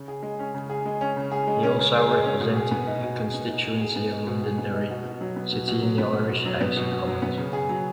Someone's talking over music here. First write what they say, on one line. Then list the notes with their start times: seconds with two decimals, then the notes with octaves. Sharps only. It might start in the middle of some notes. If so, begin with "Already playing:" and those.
He also represented the constituency of Londonderry City in the Irish House of Commons.
Already playing: C#3
0.08 G#4
0.22 G#3
0.39 C#4
0.54 C#3
0.70 G#4
0.86 G#3
1.01 C#4
1.17 C#3
1.32 G#4
1.47 G#3
1.63 C#4
1.79 C#3
1.94 G#4
2.10 G#3
2.25 C#4
2.40 B2
2.56 G#4
2.71 B3
2.87 D#4
3.03 B2
3.19 G#4
3.34 B3
3.50 D#4
3.65 B2
3.80 G#4
3.96 B3
4.12 D#4
4.27 B2
4.43 G#4
4.58 B3
4.74 D#4
4.90 B2
5.05 B2
5.21 F#3
5.36 B3
5.52 B2
5.68 B2
5.82 F#3
5.98 B3
6.13 B2
6.29 B2
6.45 F#3
6.61 B3
6.76 B2
6.92 B2
7.07 F#3
7.22 B3
7.38 C#3
7.53 G#4
7.69 F#3